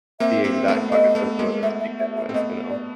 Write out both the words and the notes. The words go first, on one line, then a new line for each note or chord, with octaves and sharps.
being that cognizant of women to begin with, you know?
A#3 C4 E5
A#3 C4
A3 B3
A3 B3 D#5
A3 B3
G#3 A#3
A3 B3 E5
E5
E5
E5
C4
A3 B3 D#5
D5